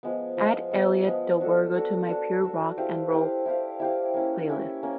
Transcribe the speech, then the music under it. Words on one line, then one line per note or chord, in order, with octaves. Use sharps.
Add Elliot Del Borgo to my pure rock & roll playlist.
F3 G#3 B3
F3 G#3 B3
F3 G#3 B3
F3 G#3 B3
D4 F#4 A4
D4 F#4 A4
D4 F#4 A4
D4 F#4 A4
E4 G4 C5 F5
E4 G4 C5 F5
E4 G4 C5 F5
E4 G4 C5 F5
A#3 C#4 E4
A#3 C#4 E4
A#3 C#4